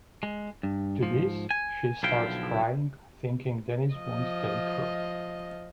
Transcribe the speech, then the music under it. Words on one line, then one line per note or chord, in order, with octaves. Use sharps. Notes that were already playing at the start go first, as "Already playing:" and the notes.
To this, she starts crying, thinking Dennis won't take her.
G#3
G2
G#2 F3
G#5
B1 D3 F3 E4 F5 G5
F3 D#5